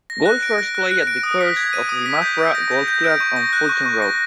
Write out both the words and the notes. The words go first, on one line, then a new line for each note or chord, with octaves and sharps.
Golfers play at the course of the Maffra Golf Club on Fulton Road.
A#6
F#6
D7
A#6
F#6
F#6
D7
D#6
B6
G#6
D#7
D#6
B6
G6
D7
A#6
G6
G6
D7
C#6
A#6
F#6
C#6
C#6
A#6